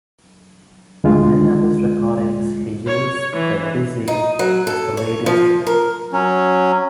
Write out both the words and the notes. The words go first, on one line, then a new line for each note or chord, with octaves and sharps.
On many of his recordings he uses the "dizi" as the lead instrument.
D2 G#3 F4
C#5
E3
D#4
F#3
A4
C#5
F3
A#4
F#3 C#4